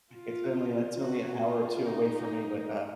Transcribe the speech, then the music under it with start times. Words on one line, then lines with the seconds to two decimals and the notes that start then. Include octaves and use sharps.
It's only it's only an hour or two away from me, but, uh,
0.14 F4
1.00 F#4
1.44 F4
1.86 D#4